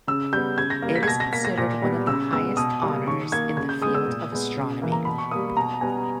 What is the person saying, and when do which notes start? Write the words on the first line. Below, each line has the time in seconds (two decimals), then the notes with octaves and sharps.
It is considered one of the highest honors in the field of astronomy.
0.07 C#3 E6
0.33 G3 B3 G6
0.58 C#3 G#6
0.70 A#6
0.82 G3 A#3
0.95 B6
1.03 G#6
1.08 B2 A#6
1.20 A#6
1.32 A#3 B6
1.45 A#6
1.58 A#2 A#6
1.82 G3 B3
2.07 C#3 E6
2.32 G#3 B3 E6
2.57 B2 D#6
2.82 G3 A#3
3.07 D#3 C#6
3.32 A#3 G#6
3.57 C#3 G#6
3.69 G6
3.81 G#3 B3 D#6
3.94 E6
4.07 A#2
4.32 G#3 B3
4.57 C#3
4.82 E3 A#3
4.92 A#5
5.05 B2 B5
5.18 C#6
5.31 G3 A#3 D#6
5.57 B2 A#5
5.81 G3 B3 G#5